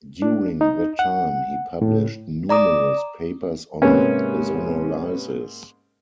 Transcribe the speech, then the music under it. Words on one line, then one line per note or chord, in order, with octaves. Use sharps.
During that time he published numerous papers on ozonolysis.
D4
D#4
F#5
A2
D5 A#5 D6 D#6
G#2 C3 A#3 B3 C#4